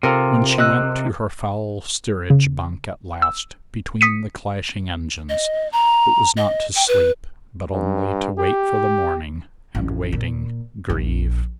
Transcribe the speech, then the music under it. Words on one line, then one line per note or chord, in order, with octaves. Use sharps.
When she went to her foul steerage bunk at last, between the clashing engines, it was not to sleep, but only to wait for the morning, and, waiting, grieve.
C3 F4 A4 A#4
D#5 E6 F#6
C#3
E6
D#6 B6 C#7 D#7
D#5
A#5
D#5
G5
B4
G2
G4
A1
A#2
A#1